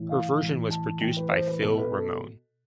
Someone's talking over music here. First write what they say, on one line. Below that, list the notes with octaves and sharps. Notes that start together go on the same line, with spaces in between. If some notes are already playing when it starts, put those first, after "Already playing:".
Her version was produced by Phil Ramone.
Already playing: A2 E3
F5
A2 E3
A5
A2 E3 G5
B4
C5
B4
B2 A4
B4
A4